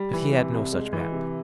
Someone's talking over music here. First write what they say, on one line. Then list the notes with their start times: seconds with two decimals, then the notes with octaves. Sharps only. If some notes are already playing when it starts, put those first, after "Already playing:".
But he had no such map.
Already playing: G3
0.13 E3
0.33 C3
0.53 C2
0.73 G#3
0.93 E3
1.12 C3